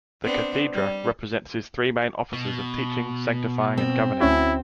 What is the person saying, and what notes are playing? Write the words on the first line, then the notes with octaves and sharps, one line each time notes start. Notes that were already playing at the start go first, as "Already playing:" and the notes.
The Cathedra represents his three main offices of teaching, sanctifying and governing.
B3 C4 D4
G3
B2
C4
D2 C#4 E4 F#4